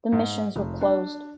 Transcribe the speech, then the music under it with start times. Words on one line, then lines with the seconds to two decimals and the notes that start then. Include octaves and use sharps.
The missions were closed.
0.12 G#2
0.56 F1
0.81 D4